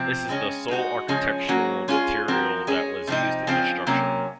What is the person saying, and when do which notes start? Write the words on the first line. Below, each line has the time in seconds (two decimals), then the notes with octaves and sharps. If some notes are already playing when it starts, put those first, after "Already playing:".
This is the sole architectural material that was used in the structure.
Already playing: C3 F3 C4
0.29 C#3 G#3 C#4
0.68 G#3 D#4 F#4
1.08 C#3 F3 G#3 C#4
1.48 F#3 A#3 C#4 F#4
1.88 G#3 C#4 F4 G#4
2.28 F3 C4 F#4 A#4
2.67 G#3 C#4 G#4
3.07 C3 F3 C4 D#4
3.47 C#3 F3 C4 F4
3.87 C3 F#3 A#3 C#4